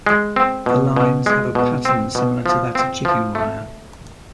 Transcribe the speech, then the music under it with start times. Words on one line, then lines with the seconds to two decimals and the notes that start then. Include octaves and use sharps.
The lines have a pattern similar to that of chicken wire.
0.06 G#3
0.36 C4
0.66 B2
0.96 B2
1.26 G#3
1.55 B2
1.85 C4
2.15 B2
2.46 F3
2.75 C4
3.05 F3
3.35 A3